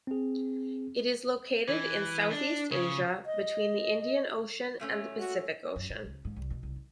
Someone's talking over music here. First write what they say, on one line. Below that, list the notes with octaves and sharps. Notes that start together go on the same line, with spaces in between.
It is located in Southeast Asia between the Indian Ocean and the Pacific Ocean.
C4 G#4
E3
D4
C#3
D#5
A#2 A3 C#4
F#4
F#2
A#2
C#2
G#2
C2
B2
C2
D#3